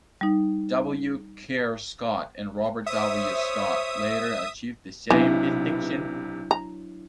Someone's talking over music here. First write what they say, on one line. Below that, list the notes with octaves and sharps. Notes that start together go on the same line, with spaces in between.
W. Kerr Scott and Robert W. Scott later achieved the same distinction.
G3 D#4
C5 C#5 E5 D#6
B1 C3 E3 F#3 B3 D4 E4
A#5